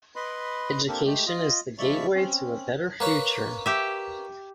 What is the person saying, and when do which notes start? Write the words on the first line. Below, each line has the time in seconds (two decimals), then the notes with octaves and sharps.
Education is the gateway to a better future.
0.16 B4 D#5 B5 C6
0.88 A#3 C4 D4 G4 A4 A#4
1.05 G#3 A3 G4
1.26 F4 D#5
1.79 C#3 F3 G#3 D5 E5 C#6
2.14 C4 C#4
3.00 A#3 B4 C#5
3.66 G4 E5